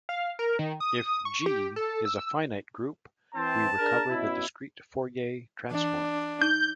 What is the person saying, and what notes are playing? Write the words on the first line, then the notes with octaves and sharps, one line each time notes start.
If "G" is a finite group, we recover the discrete Fourier transform.
F5
A#4
D#3
D#6
C#6
G4
A4
E6
E3 C4 A5
D4 G#4 A#4
B2 C#4 E4
E3 D4
D#4 G6